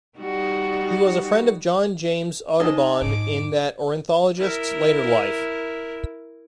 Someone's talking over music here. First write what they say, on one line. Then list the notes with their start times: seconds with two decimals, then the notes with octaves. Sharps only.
He was a friend of John James Audubon in that ornithologist's later life.
0.18 G3 D#4 F#4
2.60 D#4 C5 D#5 G#5 A5
3.01 F2 G#2 D6
4.37 E4 A#4